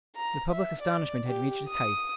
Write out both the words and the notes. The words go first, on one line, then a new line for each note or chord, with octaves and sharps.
The public astonishment had reached its height.
A#5
E5
D5
G4
D#6